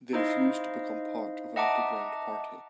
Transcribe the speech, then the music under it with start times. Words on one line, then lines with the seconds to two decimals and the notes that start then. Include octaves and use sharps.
They refused to become part of an underground party.
0.13 D#4 E4 C5 D#5 F5
1.56 D#5 E5 F#5 A5 A#5 D6